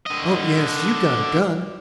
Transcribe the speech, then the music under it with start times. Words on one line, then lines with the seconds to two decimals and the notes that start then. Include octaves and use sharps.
Oh, yes, you got a gun.
0.06 D3 D#5